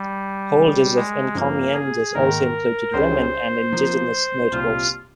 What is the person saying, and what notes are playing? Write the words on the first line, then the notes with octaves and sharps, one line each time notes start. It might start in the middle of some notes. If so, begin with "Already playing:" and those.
Holders of "encomiendas" also included women and indigenous notables.
Already playing: G3
C#3 G#3 C#4
G#3
G2 F3 A#3 C4
G#4
G#2 D#3 A#3 A#4
C#2 C#3 G3 C#4 C5
F3 A#3 F4
C2 A#2 G3 C4 F4 G4